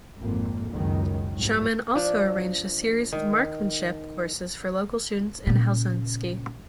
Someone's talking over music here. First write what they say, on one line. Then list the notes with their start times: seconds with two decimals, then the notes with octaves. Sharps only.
Schauman also arranged a series of marksmanship courses for local students in Helsinki.
0.18 G#1 F2 A#3
0.70 C#2 F#2 D#3 F#3
1.34 C2 G#2 F#3
1.95 F3 D4
3.12 D#3
5.47 A#2 C#3